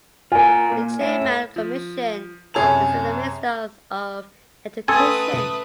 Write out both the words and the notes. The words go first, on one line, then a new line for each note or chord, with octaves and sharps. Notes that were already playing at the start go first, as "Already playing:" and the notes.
The chairman of the commission is the Minister of Education.
F4 A#4 G#5
A#2
A2 E5
F3
F#2 C3 G#4 C#5 A5 F7
A3 C#4 A4 B4 G#5 C6 D#6 E6